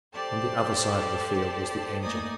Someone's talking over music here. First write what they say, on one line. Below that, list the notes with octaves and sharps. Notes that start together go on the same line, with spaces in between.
On the other side of the field was the Angel.
G4 A4 C5 D5 A5
A3 A#3 D#4 D5 G#5 D#6